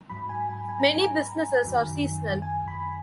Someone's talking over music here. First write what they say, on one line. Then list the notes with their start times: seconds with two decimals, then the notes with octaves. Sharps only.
Many businesses are seasonal.
0.09 G#2 F#3 B5
0.29 G#5
0.49 G#5
0.69 G#5
0.80 A#5
0.92 G#5
1.65 F#2 D#3 F#3
2.42 G#5
2.68 B5